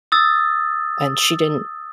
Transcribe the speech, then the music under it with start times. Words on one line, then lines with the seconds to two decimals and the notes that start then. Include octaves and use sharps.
and she didn't
0.12 D#6 E6 A6